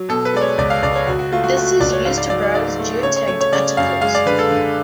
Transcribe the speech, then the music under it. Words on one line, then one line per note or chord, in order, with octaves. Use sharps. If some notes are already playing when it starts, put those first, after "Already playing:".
This is used to browse geotagged articles.
Already playing: F#3
B2 A4
B4
G#3 D5
C#5
C#2 D5
F5
C#2 D5
C#5
C#2 F#4
F#4
A3 F4
F#4
A3 F#4
C#2 D5
C#5
G#2 F5
D5
F#3 D5
D5
G#2 D5
A3
C#3 C#5
C#5
A3 C#5
C#5
C#3 D5
F#2 F5
G#3 F5
D5
D3 B4
A4
D3